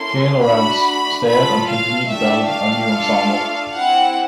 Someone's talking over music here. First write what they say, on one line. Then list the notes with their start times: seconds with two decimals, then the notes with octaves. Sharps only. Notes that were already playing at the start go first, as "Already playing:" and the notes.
Kay Lorentz stayed and continued to build a new ensemble.
Already playing: A#3 C#4 E4 A4 C6
0.43 A3 D4 F#4 B5
1.26 C#4 F4 A4 B5
1.68 F5
2.08 A3 D4 G4 E5
2.50 F5
2.91 A3 D4 F4 A4
3.73 C4 E4 G4 F#5